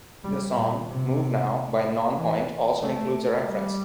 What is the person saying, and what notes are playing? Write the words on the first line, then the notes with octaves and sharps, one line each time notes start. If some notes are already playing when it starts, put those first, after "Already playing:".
The song "Move Now" by Nonpoint also includes a reference.
G3
A#2
C3
E3
A3
G3